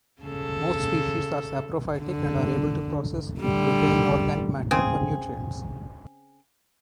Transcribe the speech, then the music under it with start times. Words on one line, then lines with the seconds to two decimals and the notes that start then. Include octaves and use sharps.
Most species are saprophytic and are able to process decaying organic matter for nutrients.
0.22 C#3 A4
2.00 D3
3.40 A2 D3 G3
4.71 C#3 C4 G#4